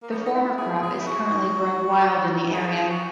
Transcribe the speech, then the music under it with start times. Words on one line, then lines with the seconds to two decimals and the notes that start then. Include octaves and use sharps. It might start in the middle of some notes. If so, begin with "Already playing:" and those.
The former crop is currently growing wild in the area.
0.03 A#3
0.10 B3
0.18 C#4
0.25 D#4
0.33 E4
0.58 G#4
0.82 G#4
1.00 E4
1.07 F#4
2.53 G#4
2.90 F#4